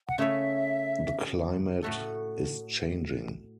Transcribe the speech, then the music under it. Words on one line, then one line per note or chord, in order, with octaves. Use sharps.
The climate is changing.
F#5
C#3 A3 E4 A4 C#5 E5
A2 A3 F#4 A4